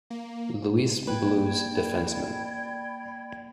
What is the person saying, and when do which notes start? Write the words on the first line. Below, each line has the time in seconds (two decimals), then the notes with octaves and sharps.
Louis Blues defenseman.
0.10 A#3
1.07 A#3 B4 D5 G5 B5 G#6